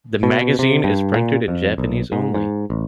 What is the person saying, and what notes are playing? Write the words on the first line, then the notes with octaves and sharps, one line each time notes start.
The magazine is printed in Japanese only.
B2
C3
G2
A#2
F2
B1
G#2
G#2
A1